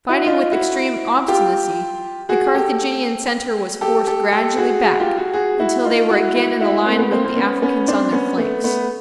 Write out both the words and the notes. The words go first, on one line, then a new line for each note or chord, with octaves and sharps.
Fighting with extreme obstinacy the Carthaginian centre was forced gradually back until they were again in a line with the Africans on their flanks.
E4 F#4
D#4 F4
E4 F#4
F4 G4
F#4 G#4
G4 A4
G4 A4
G4 A4
G4 A4
F#4 G#4
F#4 G#4
F4 G4
F#4 G#4
F#4 G#4
E4 F#4
D#4 F4
E4 F#4
E4 F#4
E4 F#4
A#3 C4
A3 B3
A#3 C4
A#3 C4
B3 C#4
B3 C#4
C4 D4
B3 C#4
A3 B3
A3 B3